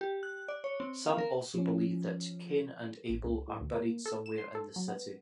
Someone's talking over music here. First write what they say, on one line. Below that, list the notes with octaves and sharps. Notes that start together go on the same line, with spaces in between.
Some also believe that Cain and Abel are buried somewhere in the city.
G4
F#6
D5
C#5
C4
F5
A#4
F3 C#4
A1
C#2
A2
D2
A#3
A4
E7
C6
A4
F#3
B3